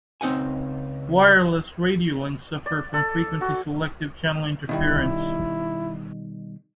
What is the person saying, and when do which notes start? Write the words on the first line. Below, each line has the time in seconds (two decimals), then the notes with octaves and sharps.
Wireless radio links suffer from frequency-selective channel interference.
0.21 C#2 C4 D#4 F#5 G#5
2.66 D5
2.94 A4
3.41 F#4
4.69 B2 D#3 G3 E4